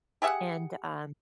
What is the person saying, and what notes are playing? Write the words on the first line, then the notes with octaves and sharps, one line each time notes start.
and, um
G4 G#4 E5 F#5